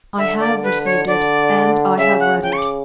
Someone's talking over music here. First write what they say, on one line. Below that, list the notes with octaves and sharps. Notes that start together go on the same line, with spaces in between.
"I have received it, and I have read it."
D3 E5
D5
B4
C#5
D3 D5
C#3 E5
F#5
C#3 G5
C#6
D6